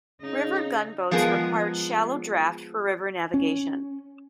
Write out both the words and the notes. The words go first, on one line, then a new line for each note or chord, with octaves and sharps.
River gunboats required shallow draft for river navigation.
C#3 D#4
F3 G#3 B3 G#4 A#4
C#4